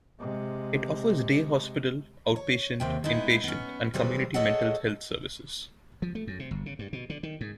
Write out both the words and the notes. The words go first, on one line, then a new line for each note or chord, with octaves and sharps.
It offers day hospital, outpatient, inpatient, and community mental health services.
C3 G#3
C#5
D#2 C3 G5
G#3 B3 D#4 E4
B3 C#4
C3 E3 F#3 G3 G#4 B4
G#4 A4 C#5 D#5 F#5
F3
A3
F#2
C3
G1
C#3
G2
B2
D3
D#3
G#2